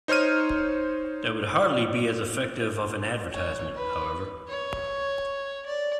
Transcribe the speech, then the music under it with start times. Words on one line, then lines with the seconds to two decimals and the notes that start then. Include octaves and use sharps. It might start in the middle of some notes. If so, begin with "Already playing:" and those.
That would hardly be as effective of an advertisement, however.
0.08 D#4 C5 C#5 F6 D#7
3.32 C#5
3.75 B4
4.48 C#5
5.66 D5